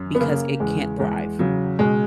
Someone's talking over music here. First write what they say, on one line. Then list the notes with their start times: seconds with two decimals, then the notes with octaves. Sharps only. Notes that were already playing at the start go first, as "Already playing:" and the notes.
because it can't thrive.
Already playing: F#2
0.15 B3
0.20 C#3 A#3
0.60 E2 G#3
1.00 E2 G#3
1.39 C#3 F#3
1.79 B2 G#3